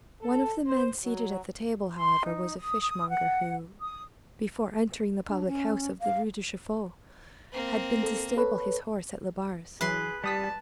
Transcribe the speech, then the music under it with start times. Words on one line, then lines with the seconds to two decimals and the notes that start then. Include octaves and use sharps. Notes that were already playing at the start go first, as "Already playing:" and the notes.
One of the men seated at the table, however, was a fishmonger who, before entering the public house of the Rue de Chaffaut, had been to stable his horse at Labarre's.
0.22 A4
0.65 C5
1.04 F#3
1.96 C6
2.25 D#4
2.56 D#6
3.08 F#5
3.82 D#6
5.28 D4
5.47 C#4
6.02 F5
7.53 A#3 C4
8.03 A4
8.37 A4 B4 C#5
9.81 E3 F#3 G#4 B4 C6
10.24 G3 G4 A5 D#6 B6